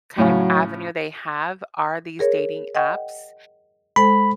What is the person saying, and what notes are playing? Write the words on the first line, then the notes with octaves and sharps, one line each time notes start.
kind of avenue they have are these dating apps,
A2 C#3 F#3
G#4 A#4 C#5
D#5 F#5 G5
G#3 A4 C5 B5